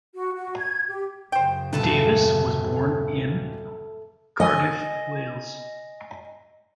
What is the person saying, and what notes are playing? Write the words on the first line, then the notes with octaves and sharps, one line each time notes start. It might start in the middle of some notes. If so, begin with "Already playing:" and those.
Davis was born in Cardiff, Wales.
F#4
F#4
G#6
G4
F#2 C#3 C5 G5
D#1 F#3 A3 A4 B4
D#5 G#5